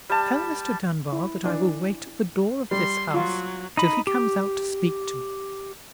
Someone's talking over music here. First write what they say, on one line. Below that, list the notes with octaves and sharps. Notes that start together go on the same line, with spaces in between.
Tell Mr. Dunbar that I will wait at the door of this house till he comes out to speak to me.
G3 A5
E4
E3 D4
G3 C6
F#3 F4
D#4 B5
G4